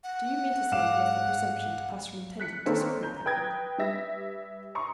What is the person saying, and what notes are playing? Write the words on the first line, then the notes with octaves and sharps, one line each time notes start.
"Do you mean to say he has the presumption to pass from intendant to superintendent?"
F#5
G#2 F5 D6 E7
F#6 B6 C#7
D#3 A#3 C4 A4 B4 C#5
A#5 G6
B4 G5 D#6 G#6 A#6
G3 B4 E5 A#6
A#5 C6 C#6 D#6